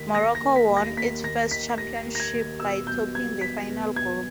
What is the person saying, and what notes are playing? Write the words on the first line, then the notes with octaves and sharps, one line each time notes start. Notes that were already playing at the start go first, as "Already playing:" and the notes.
Morocco won its first championship, by topping the final group.
Already playing: D#2 D#3 A#3 B6
D#2 A#6
A#6
D#3
B6
D#2
A#6
A#3 B6
D#2 A#6
D#3 B6
D#2 A#6
A#3
A#6
G#6
D#2
B2 E6
B1 G6
G3 G#6
B3 B6
B2
B1 G#6